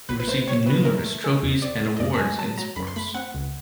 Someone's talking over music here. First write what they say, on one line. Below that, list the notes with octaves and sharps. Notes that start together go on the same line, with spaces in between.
He received numerous trophies and awards in sports.
A1 B4
B4
A3 C5
C3 C#5
C3 B4
E3 A#4
A3
G#3 A4
E2
C4 D5
A2
D#5
F#2 D5
A5
G#3 G#5
F#3 A5
F#3 A#5
F#2 B5
C6
A3 B5
C4 F#5
C#2